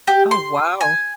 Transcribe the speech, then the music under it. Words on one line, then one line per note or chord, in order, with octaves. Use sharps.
Oh, wow.
G4
C6
G#5